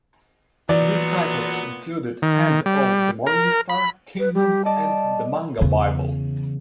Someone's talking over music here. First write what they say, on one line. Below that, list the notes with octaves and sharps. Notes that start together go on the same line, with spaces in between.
These titles included "Hand of the Morningstar", "Kingdoms", and "The Manga Bible".
A#2 E3 F#3 B3 D5
D#3
G3
A#4
B5
B4
G3 G4
D5 D#5 A5
E2 C#3